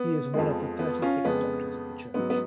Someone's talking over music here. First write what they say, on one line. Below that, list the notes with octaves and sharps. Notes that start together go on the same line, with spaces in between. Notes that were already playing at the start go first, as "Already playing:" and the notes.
He is one of the thirty-six Doctors of the Church.
Already playing: B3
F2 F3 G#3
B3
C#4 F4
F2 C#3 G#3 B3
G#2 F#3 B3
B3